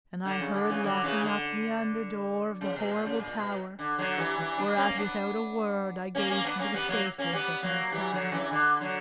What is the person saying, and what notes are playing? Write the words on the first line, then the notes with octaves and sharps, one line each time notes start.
And I heard locking up the under door Of the horrible tower; whereat without a word I gazed into the faces of my sons.
D3
C#3
D3
C#3 E3
D3 F#3
C#3 E3
D3
C#3
B2
A#2
C#3
A#2
B2
D3
D3 F#3
E3 G3
E3 G3
B3 D4
A#3 C#4
B3 D4
A#3 C#4
A#3 C#4
B3 D4
A#3 C#4
G3 B3
F#3 A#3
A#3 C#4
G3 B3
F#3 A#3
E3 G3
D3 F#3
C#3 E3
D3
D3 F#3